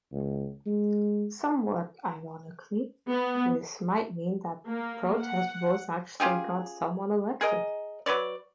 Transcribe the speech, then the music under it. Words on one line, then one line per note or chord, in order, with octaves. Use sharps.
Somewhat ironically, this might mean that protest votes actually got someone elected.
C#2
G#3
B3
A#3
F#5
C#4 F4 G4 G#4
G#4 A#4 D#5
F#3 B4 C#5 D5